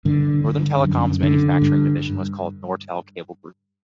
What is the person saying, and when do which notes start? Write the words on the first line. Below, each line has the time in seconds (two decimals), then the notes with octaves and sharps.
Northern Telecom's manufacturing division was called Nortel Cable Group.
0.05 G2 D3
0.44 D3
0.85 F#2
1.23 D3
1.62 G2